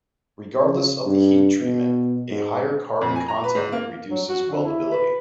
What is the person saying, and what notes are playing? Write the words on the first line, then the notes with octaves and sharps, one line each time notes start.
Regardless of the heat treatment, a higher carbon content reduces weldability.
C#3
G2
B2
G#2
F2
G#5
A#5
B4
G#2
A#3
F#3
F#4
D3
E4
B4